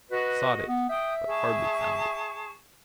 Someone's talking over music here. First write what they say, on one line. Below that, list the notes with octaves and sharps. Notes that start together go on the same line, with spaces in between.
Sought it, but hardly found it.
F#4 B4 D#5
B3
E5 G5 D#6 G6
G#4 A5 C#6